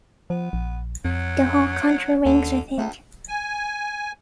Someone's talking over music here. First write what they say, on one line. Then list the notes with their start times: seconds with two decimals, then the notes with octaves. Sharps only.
The whole country rings with it.
0.30 F3 B3
0.53 A#1
1.05 F2 F#3
2.26 D#2 D3
2.78 C#2 A3
3.28 G#5